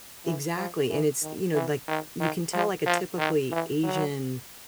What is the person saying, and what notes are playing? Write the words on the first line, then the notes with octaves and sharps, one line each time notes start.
Exactly, and it's you know, like, you can tell, like, a, typically, Asian
E3
F3
E3
D#3
E3
D#3
D#3
F3
F3
D#3
E3
F#3